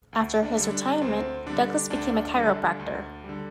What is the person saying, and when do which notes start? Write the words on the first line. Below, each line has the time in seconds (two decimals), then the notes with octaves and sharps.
After his retirement, Douglas became a chiropractor.
0.13 D2
0.43 D4
0.58 D3 G3
0.72 D4
1.01 D2 C4
1.46 D3 G3 D4
1.90 D2 D4
2.35 D3 G3
2.79 D2
3.24 D3 G3